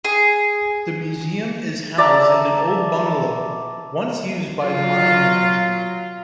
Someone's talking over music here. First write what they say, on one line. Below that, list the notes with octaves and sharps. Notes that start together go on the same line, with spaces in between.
The museum is housed in an old bungalow once used by the mine manager.
G#4
D5 E5 A5 A#5
F#3 F4